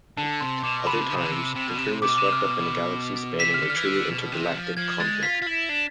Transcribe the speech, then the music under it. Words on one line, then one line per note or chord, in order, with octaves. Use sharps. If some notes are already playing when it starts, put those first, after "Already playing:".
Other times, the crew is swept up in a galaxy-spanning or truly intergalactic conflict.
D3 A5
C3 C6
B2 D6
C3 B5
D3
C3
D3
C3
D3
C3
C3
B2
C3
C3 D6
B2
C3 D6
F6
B2
C3 B6
F6
D3
F6
E3
D3
B2
C3
F3
F3 G#6
G#3 A6
F4 B6
F4
E4
D4